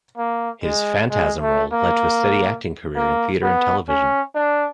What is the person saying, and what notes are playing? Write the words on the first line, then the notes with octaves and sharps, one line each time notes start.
His "Phantasm" role led to a steady acting career in theater and television.
A#3
G#3
G#3
A3
A#3
A#3
B3
C#4
D4